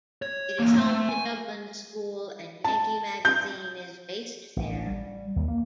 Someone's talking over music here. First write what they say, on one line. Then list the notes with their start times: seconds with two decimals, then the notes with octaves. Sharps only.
It is home to Dublin School and "Yankee" magazine is based there.
0.22 C#5
0.59 E2 A#3
0.78 A3
1.09 G#5
2.64 A5
3.25 G6
4.57 A1
4.87 G3
5.36 D#2
5.48 A#3